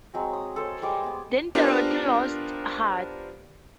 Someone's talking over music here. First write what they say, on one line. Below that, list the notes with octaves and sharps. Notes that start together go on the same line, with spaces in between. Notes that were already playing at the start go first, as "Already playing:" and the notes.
Then Dorothy lost heart.
F#3 G#3 C4
D#6
A4 C5 C#5
G3 G#3 D6
B3 G#5
B3 D4 F4 G4 A#4 C5